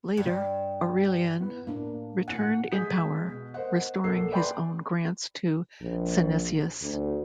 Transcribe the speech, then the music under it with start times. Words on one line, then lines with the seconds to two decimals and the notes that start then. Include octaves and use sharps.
Later Aurelian returned in power, restoring his own grants to Synesius.
0.17 G2
1.41 B3 E4 B4
1.67 A2 A#3 D4
2.28 A2 F#5 G#5
2.72 G#3 F#5 G#5 D#6 G6 B6
3.26 B2
3.54 A#4 C5 D#5 F#5
4.04 B1 A#3 A4 F#5 C7
4.32 B4 D5 G5 A5 B5 C6
5.81 A#1
6.81 D2